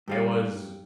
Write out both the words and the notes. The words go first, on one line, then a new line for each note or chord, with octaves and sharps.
It was
G2 G3 F5